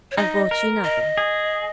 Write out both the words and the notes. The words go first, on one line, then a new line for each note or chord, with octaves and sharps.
'I've brought you nothing.
C#5
D#4 D#5
A#4
D#5
G#4